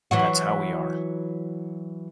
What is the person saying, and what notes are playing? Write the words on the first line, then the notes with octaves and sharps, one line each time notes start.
That's how we are.
E3 F#3 F#4